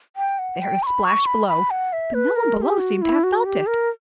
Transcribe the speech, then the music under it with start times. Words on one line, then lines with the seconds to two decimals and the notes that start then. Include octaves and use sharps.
They heard a splash below, but no one below seemed to have felt it.
0.16 G5
0.39 F#5
0.61 G5
0.83 C#6
0.86 B5
1.04 C#6
1.26 B5
1.48 B5
1.71 F#5
1.93 E5
2.14 B4
2.36 A#4
2.57 A#4
2.62 G4
2.79 F#4
3.02 E4
3.24 F#4
3.46 G4
3.67 A#4